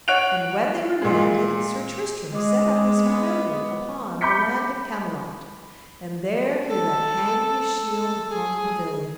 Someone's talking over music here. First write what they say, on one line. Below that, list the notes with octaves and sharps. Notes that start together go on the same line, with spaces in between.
And when they were landed Sir Tristram set up his pavilion upon the land of Camelot, and there he let hang his shield upon the pavilion.
C#5 F#5 F#6 D7 F7
A#2 G#3
G#3 D#5 D6 D#6
B3
B5 D6 G6 B6 C#7
A4
G#4